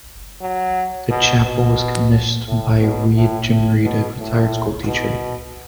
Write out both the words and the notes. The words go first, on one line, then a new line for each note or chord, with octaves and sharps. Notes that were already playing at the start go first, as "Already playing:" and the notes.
The chapel was commissioned by Jim Reed, a retired schoolteacher.
F#3
B2
B2
A2
B2
A2
A2
B2
A2
B2